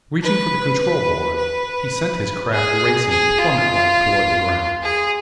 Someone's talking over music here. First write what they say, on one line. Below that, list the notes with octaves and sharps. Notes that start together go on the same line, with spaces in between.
Reaching for the control board, he sent his craft racing plummet-like toward the ground.
B4
B4
B4
G#4
G#4
F4
G#4